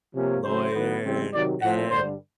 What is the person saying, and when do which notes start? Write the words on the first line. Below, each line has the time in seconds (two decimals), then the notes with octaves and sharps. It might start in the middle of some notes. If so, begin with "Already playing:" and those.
lawyer, and
0.15 C3 F3 A#3 C#4
0.44 C#3 F#3 A3 C4 C5
0.74 D#3 F#3 B3
1.03 C#3 E3 G3 C4
1.32 C3 D#3 F#3 D5
1.61 A2 F3 A3 C4 F#5
1.90 G2 D3 G3 C5